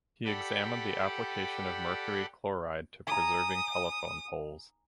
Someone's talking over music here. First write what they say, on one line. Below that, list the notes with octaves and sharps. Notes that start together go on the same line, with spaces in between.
He examined the application of mercury chloride to preserving telephone poles.
G4 A4 D5 F#5 G5 B5
G#5 A#5 D#6